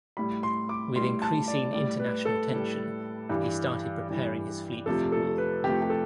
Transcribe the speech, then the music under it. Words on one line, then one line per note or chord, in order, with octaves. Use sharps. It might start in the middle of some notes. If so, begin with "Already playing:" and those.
With increasing international tension he started preparing his fleet for war.
A2 G3 B5
C6
D6
A2 G3 C6
A5
D5
A2 G3 D5
B4
A4
A2 G3
G2 E3 G3
G2 E3 G3
F2 C3 F3 A3 A4
A4
B4
F2 C3 F3 A3 G4
G4
A4